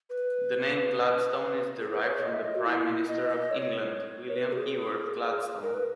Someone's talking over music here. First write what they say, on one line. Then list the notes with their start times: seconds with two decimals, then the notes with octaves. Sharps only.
The name Gladstone is derived from the prime minister of England, William Ewart Gladstone.
0.10 B4
1.81 G#4
1.94 B4
2.02 C#5
2.23 D#5
2.33 E5
2.44 D#5
2.55 F#4
2.66 E4
3.08 D#5
3.29 D#5
3.51 C#5
4.30 A#4
4.36 B4
4.52 F#4
4.57 G#4
5.63 A#4
5.74 B4